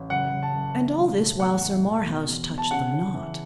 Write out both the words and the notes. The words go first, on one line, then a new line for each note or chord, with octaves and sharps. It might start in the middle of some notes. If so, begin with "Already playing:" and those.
And all this while Sir Marhaus touched them not.
Already playing: A1
F#1 F#5
F#1
A5
F#1
E3
B1
A2
E2 F#5
E3
E1
B2
E2
B2
A5
C#3 F#5
C#3
E3